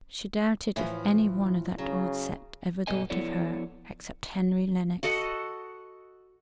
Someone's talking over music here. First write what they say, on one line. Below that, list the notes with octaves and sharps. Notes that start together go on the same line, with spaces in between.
She doubted if any one of that old set ever thought of her, except Henry Lennox.
A2 E3 F3
C#3 F#3
G2 B2 B3 A4 D#5 G#5
F3 B3 E4 A4 C#5 D5
F#4 A4 D#5 F#5